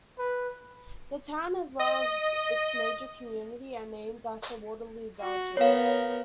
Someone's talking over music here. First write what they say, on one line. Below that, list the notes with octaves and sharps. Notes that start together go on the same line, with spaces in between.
The town, as well as its major community, are named after Waterloo, Belgium.
B4
D#5
F#4
B3 A#4 C#5 F5